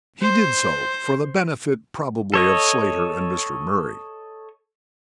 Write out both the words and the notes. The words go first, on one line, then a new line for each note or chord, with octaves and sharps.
He did so--for the benefit, probably, of Slater and Mr. Murray.
C5
A4 C#5 D#5